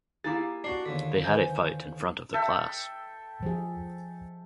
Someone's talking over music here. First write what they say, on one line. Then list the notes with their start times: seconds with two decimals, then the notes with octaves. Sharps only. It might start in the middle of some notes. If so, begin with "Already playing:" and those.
They had a fight in front of the class.
0.24 A#3 E4 G4 G#4 A#5 D6 A6
0.64 D4 F#4 D5 C7
0.86 D#2 D3 B6
1.24 B4 C5 G#5 G6
2.34 A4 E5 G5
3.43 F3 G#4